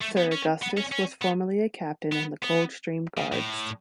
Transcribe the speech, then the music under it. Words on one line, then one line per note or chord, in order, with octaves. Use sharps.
Sir Augustus was formerly a captain in the Coldstream Guards.
A3
B3
C#4
B3
C#4
C#4
B3
B3
B3
C#3
A2